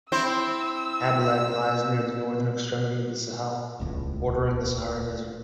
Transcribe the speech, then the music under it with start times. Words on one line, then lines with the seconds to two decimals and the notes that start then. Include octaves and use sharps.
Abalak lies near the northern extremity of the Sahel, bordering the Sahara desert.
0.12 C4 E4 C5 E6
3.80 D#1 C#2 A2